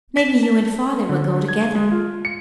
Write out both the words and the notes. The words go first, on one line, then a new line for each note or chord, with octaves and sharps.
May be you and father will go together.
B6
A5
D3
G#6
G#3
F4
C#7